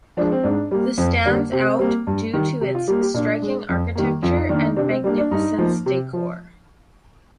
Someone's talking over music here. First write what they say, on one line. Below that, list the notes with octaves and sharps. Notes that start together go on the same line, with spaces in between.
The stands out due to its striking architecture and magnificence decor.
F3 G#3 D4
C4
G#2 D4
G3 A#3
F2 C4
D3 G3 A#3 D4
C3 C4
G3 A#3
G2
D#3 G3
C3
F4
G3 A#3 G4
G4
A#2 D4
G#3
F2
D#3 G3 A#3
F2 F4
D#4
D#3 A#3 D4
D#4
C3 D4
C4
G3 A#3 D4
D4
G2 D#4
F3 A#3
C3
F3